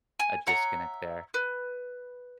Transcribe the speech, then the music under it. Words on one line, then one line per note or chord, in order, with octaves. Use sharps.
a disconnect there.
G#5
C#5 E5 F#5 A#5
B4